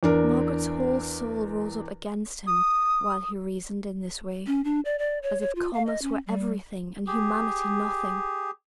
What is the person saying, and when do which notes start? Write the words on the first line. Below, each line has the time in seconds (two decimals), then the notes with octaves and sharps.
Margaret's whole soul rose up against him while he reasoned in this way--as if commerce were everything and humanity nothing.
0.03 E2 D4 A#4
2.47 D#6
4.47 C#4
4.64 D4
4.85 D5
4.99 D5
5.23 C#5
5.41 C#5
5.55 F4
5.73 F5
5.86 D#5
6.02 C#4
6.27 G3
7.07 G4 G#4